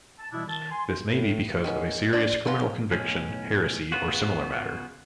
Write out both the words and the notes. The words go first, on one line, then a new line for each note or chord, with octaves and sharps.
This may be because of a serious criminal conviction, heresy, or similar matter.
A5
B2 E3 G3 B3 D4 E4
D#3 A5
G#5 C6
A2
D#3 B3 C#4
D4 C5 D5
F#3 G#3 B3 F4
B1 A2 C#4
C#3 B3 F4 F#4